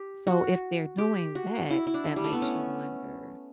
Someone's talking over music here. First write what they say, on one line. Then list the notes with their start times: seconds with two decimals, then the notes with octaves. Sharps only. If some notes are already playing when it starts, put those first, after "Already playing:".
So if they're doing that, that makes you wonder,
Already playing: G4
0.27 F#4
0.98 G4
1.35 F#4
1.70 E4
1.87 E4
1.94 D4
2.16 G3
2.24 A3
2.33 B3
2.42 C#4